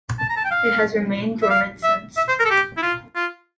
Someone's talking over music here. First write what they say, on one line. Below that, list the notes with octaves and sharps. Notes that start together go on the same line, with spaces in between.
It has remained dormant since.
A5
A#5
A5
G5
F5
E5
F5
E5
E5
C5
A#4
A4
G4
E4
F4
F4